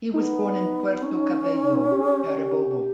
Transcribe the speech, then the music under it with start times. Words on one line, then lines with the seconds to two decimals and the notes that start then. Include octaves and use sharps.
He was born in Puerto Cabello, Carabobo.
0.14 B3 D#4
1.03 C#4
1.92 G4
2.00 G#4
2.11 G4